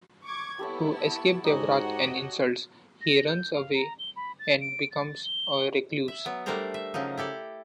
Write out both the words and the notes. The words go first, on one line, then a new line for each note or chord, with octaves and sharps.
To escape their wrath and insults, he runs away and becomes a recluse.
C#6 D6 G#6
B3 E4 G4 A4 C#5
A5
G#2 D#4 F#4 G4 C#5 D#5
F#5
A#6
G6
F5
A#5
G7
B5
A6
D7
A6
G7
E5
F#3 B3
G3 A3 D4 A#4 C5 A#5
E5
C#3 F3 F#3 D#4
E4 G4 A4 D5